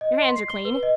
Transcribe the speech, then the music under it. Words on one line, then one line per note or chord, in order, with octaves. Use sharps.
Your hands are clean.
D#5
C6
C7
G7
B4
D#5